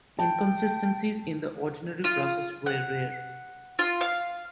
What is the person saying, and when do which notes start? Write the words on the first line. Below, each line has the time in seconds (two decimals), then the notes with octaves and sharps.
Inconsistencies in the ordinary process were rare.
0.19 G5 A5
2.04 F4
2.66 F#5
3.79 F4
4.01 F5